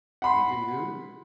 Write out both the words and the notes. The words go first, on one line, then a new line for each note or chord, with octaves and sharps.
"Anything new?"
F#5 B5 C6